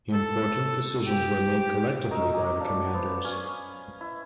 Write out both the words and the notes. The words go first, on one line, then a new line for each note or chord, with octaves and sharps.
Important decisions were made collectively by the commanders.
A4
G4
F#3 D#4 A#4 E6
D#5 G#5 D6
D4 D5 F5
B3 C5
C#4 F5 G#5
E4